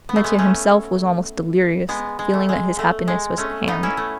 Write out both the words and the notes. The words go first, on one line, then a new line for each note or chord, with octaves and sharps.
Mitya himself was almost delirious, feeling that his happiness was at hand.
B3
A3
G#3 B3
A3 C#4
G#3 B3
G#3
A3
G#3
A3
G#3
A3 C#4
B3 D#4
C#4 E4
A3